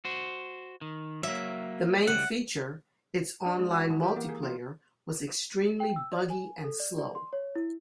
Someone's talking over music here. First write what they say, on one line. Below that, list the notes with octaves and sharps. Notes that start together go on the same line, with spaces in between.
The main feature, its online multiplayer, was extremely buggy and slow.
F#4 C5
D#3
F#3 A#3 E5
C#2 G3 F#5
D4
G#3
F#4
E3
G4
A#3
G#4
F4
G5
E6
D5
G#5
A4
D5
D5
C6
C#5
E4